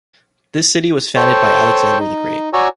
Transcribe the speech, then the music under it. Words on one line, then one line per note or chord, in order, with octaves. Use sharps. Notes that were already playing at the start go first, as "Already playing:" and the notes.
This city was founded by Alexander The Great.
A4 C5 C#5 G5
D#4
F#4 C#5 D5 G#5 A#5 E6